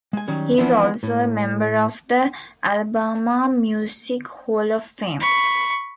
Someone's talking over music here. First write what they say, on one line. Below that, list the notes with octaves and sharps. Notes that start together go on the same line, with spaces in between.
He is also a member of the Alabama Music Hall of Fame.
G#3 G#5
D#3 F#3 G3 C#4
E3 F3 B3 C4 D4 E4
A2
B5 C#6